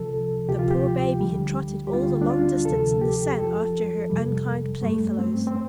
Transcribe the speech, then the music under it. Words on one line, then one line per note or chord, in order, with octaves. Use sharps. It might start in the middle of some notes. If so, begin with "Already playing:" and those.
The poor baby had trotted all the long distance in the sun after her unkind playfellows.
Already playing: C2 C3 F3 A4
D2 C3 F3 G4
F4
G4
D2 D3 G3
G4
D2 D3 G3 F4
D4
F4
D2 C3 F3 A4
G4
F2 F3 A4
F2 C3 G3
G2 G3 A3
C4
C4